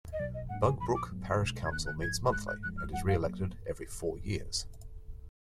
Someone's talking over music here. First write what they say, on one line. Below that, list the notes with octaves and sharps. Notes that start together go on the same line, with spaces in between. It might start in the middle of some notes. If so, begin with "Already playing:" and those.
Bugbrooke Parish Council meets monthly and is re-elected every four years.
D#5
B1 B2 F#3 D5
D#5
G#2 F#3 A#3 D4 F#5
G#5
A#1 A#2 F3 B5
D6
G#2 F#3 B3
B1 B2 G#3 D4
G#6
D#2 D#3 A#3 D4 F#6
F#6
G#1 G#2 F3 G#6
G#2 D#3 G#3 F#6
F#6
F#1 F#2 F3 G#3 F#6
F6
F#2 F3 G#3 F#5
F5
F#3 A#3